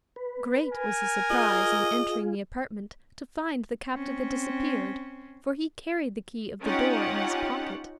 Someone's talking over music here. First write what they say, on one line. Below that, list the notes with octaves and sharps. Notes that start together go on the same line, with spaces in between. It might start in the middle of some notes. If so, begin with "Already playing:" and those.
Great was his surprise, on entering the apartment, to find the captive had disappeared, for he carried the key of the door in his pocket.
B4
A#4 G#5
F4 G#4 D#5
C4 C#4
C#4 D#4 F4 G4 F#5